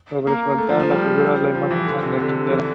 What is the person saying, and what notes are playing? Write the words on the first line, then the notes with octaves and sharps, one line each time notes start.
The competition was ignored by many leading Russian athletes.
A#3
A3
F3
F3
G3
F3
E3
D3
C3
D3
E3
D3